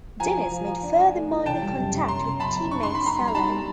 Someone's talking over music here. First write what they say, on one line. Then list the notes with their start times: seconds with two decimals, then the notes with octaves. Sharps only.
Diniz made further minor contact with teammate Salo.
0.20 F3 G#5 A#5
0.36 F3
0.52 F3
0.67 F3
0.83 D4
0.99 D4
1.15 A3
1.30 E3
1.46 C#3 G5 A5
1.62 G3
1.77 F#2
1.93 C#3
2.08 C#3 A#5 C6
2.24 C#3
2.40 F#2 A5 B5
2.56 F#2
2.71 D#4 C#6
2.83 D#4 C6
2.95 B5
3.03 D#4 A#5 C6
3.19 G3
3.28 A#5
3.34 D#4 A5 B5
3.50 G3